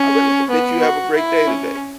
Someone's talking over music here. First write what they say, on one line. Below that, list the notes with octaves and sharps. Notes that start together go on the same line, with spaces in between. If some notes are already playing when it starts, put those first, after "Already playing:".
I really hope that you have a great day today.
Already playing: C#4
B3
F#4
E4
C#4